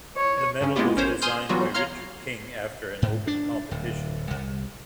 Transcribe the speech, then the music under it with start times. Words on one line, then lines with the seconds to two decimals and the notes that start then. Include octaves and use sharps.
The medal was designed by Richard King after an open competition.
0.16 C#5
0.61 G2 C#3 C#4
0.76 G#3 A#3 B3 E4 F4 G4
0.96 A1 C#4 A#4 C5 C#5
1.22 G#5 C6 D#6 F6 G6
1.49 E3 F#3 G3 B3 F4 F#4
1.74 C#5 F5 A#5 C6 F6
3.02 G#2
3.27 D4
3.71 D1
4.31 C2